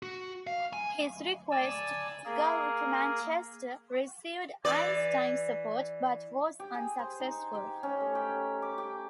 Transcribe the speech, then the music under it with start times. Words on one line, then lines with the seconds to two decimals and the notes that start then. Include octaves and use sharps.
His request to go to Manchester received Einstein's support but was unsuccessful.
0.03 F#4
0.47 F5
0.73 G#5
1.51 D5 G#5 A5 E6
2.25 A#3 G#4 A#4
4.65 E3 D5
6.60 G4
6.74 G#4
6.99 C5
7.20 D#4
7.55 G4
7.83 C#4
8.00 A3
8.15 G4
8.62 D6
8.78 G4